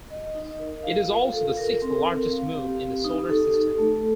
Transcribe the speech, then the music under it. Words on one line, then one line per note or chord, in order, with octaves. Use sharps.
It is also the sixth-largest moon in the Solar System.
D#5
D#4
A#4
F5
F4
A4
A#4
C4
C4
F5
G4
G4
D#4
A4
A4
A3